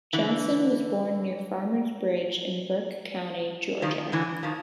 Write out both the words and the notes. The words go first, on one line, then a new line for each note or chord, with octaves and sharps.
Johnson was born near Farmer's Bridge in Burke County, Georgia.
D3 E3
D#3 F3
D3 E3
D#3 F3